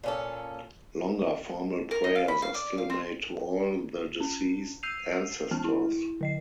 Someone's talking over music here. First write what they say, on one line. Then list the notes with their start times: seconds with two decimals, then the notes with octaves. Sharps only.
Longer formal prayers are still made to all the deceased ancestors.
0.04 A#2 C#4 A4
1.91 A#4
2.04 D#4
2.16 F5
2.28 B5
2.42 F5
2.55 D5
2.78 F5
2.90 C4
4.20 C#4
4.83 E6 G6 C7 D#7 F7
5.51 E3 B3 C#4 A5 F6
5.64 E4
6.21 D3 D#5 C7